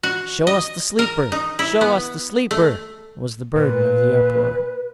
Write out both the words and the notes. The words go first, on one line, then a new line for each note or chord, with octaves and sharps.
"Show us the Sleeper, show us the Sleeper!" was the burden of the uproar.
F#4
D#5
A#4
D#4
E4
B3
A3
A#2 B4